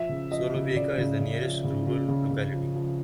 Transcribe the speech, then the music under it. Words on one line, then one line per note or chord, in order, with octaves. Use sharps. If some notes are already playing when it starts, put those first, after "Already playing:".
Solovyevka is the nearest rural locality.
Already playing: F3 E5
C#3
F3 D#5
C#3
C#3 D5
C#3
C#3
F3
C#3
C#3
C#3
C#3
F3
F3